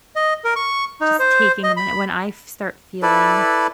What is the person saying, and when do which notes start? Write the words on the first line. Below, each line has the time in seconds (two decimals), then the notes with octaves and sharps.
just taking a minute. When I f- start feeling
0.16 D#5
0.44 A#4
0.56 C#6
1.01 D#4
1.19 C5
1.63 D#5
1.77 B5
3.03 E4 A4 B4 D5